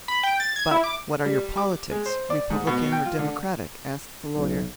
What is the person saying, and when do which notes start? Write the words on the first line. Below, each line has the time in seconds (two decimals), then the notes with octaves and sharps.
"But what are your politics--Republican or Democratic?" asked the Lawyer.
0.08 B5
0.23 G5
0.40 A6
0.56 G#6
0.71 E4
0.84 D6
1.25 G3
1.57 D6
1.91 G#3
2.06 C5
2.30 D5
2.50 G#2
2.67 B2
2.92 G5
3.05 F4
3.19 D3
4.35 B1